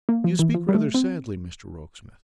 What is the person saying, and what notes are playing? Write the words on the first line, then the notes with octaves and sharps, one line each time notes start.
You speak rather sadly, Mr Rokesmith.'
A#3
F3
E3
F3
G3
A3
C4